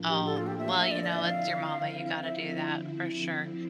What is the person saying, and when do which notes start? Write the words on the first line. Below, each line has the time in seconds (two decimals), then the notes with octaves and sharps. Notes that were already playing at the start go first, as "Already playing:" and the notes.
Oh, well, you know, it's your mama, you gotta do that for sure.
Already playing: A2 F3 A#3 D4
0.09 G4
0.26 A4
0.37 F4
0.47 G4
0.59 E5
0.69 F5
0.80 E5
0.91 D3 F3 C4 E4 D5
1.03 D5
1.13 E5
1.24 F5
2.23 E5